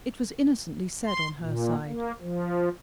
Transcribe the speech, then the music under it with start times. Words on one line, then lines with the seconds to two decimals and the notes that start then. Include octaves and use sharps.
It was innocently said, on her side.
1.06 C6
1.40 A#2
1.87 A#3
2.22 F3